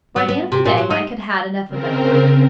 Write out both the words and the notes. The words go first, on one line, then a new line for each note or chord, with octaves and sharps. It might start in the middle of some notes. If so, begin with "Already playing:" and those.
By the end of the day Mike had had enough of Edward.
F#3
B3
C3
A#2
F#3
D#4
C#3 C4 A#4